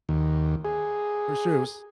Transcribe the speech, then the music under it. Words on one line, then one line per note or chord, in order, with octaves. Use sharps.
For sure, it was
D#2
G#4